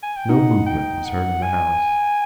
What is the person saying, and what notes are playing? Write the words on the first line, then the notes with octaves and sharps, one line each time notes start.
No movement was heard in the house.
G#5
G5
D#4 F#5
G5
F#5
G#5